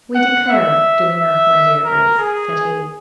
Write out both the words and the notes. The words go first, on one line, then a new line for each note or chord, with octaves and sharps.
"We declare it, do we not, my dear Grace?" said he.
F#5
E5
E5
A#4
G#4